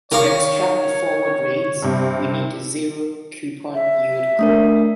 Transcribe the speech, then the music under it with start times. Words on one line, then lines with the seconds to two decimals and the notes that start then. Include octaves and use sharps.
To extract the forward rate, we need the zero-coupon yield curve.
0.12 D#3 A#4 C#5 F5 A#5 C#6
1.82 G2 C3
3.74 E5
4.39 A3 D4 A#4